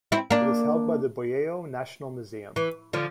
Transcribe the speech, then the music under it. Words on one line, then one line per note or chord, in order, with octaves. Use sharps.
It is held by the Buyeo National Museum.
C4 E4
A#3 D4
E3
D3 F3